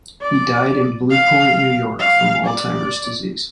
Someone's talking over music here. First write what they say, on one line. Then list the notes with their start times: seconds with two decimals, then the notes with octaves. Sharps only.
He died in Blue Point, New York from Alzheimer's Disease.
0.21 D5
1.10 F5
1.99 F5
2.44 D5